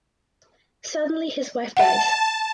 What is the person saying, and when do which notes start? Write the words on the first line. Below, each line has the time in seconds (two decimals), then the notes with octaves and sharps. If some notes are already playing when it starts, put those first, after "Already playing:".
Suddenly his wife dies.
1.77 E5 F#5 A5